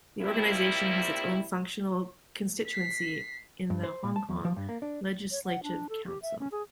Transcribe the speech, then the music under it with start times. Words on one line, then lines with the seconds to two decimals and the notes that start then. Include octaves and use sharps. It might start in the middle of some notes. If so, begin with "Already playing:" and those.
The organisation has its own functional constituency in the Hong Kong Legislative Council.
0.20 F3 G3 A#3 C4 E4
2.67 B6 C7
3.70 G2
3.83 C5
4.04 A#2
4.16 A5
4.29 E2
4.45 F3
4.56 G2
4.69 A#3
4.82 D4
5.31 C#5
5.45 F#5
5.63 D4
5.90 A4
6.06 G4
6.22 E5
6.40 C#4
6.52 G#4